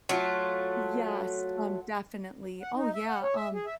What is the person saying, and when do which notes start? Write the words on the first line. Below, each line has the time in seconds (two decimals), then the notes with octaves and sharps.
Yes, um, definitely. Oh, yeah, um,
0.09 F#3 A3 F4
2.62 F#5
2.75 D#4
2.94 E5
3.09 F#5
3.23 C#5
3.35 E5
3.54 G#4
3.66 E5